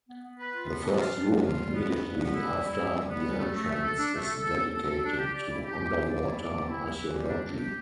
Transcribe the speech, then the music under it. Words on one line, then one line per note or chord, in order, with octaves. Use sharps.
The first room immediately after the entrance is dedicated to underwater archeology.
B3
B3
B4
F4
B3
D4
F4
D4
D4
F4
G3
B3
B3
G3
B3
E4
G3
E4
G3
G3
B3
G3
A3
A3
A3
A4
D4
A3
A4
A4
A4
A4
A4
D4
G4
D5
E4
G4
G4
E4
D5
E4
D5
G4
E4
E4
E3
G3
D4
D4
G4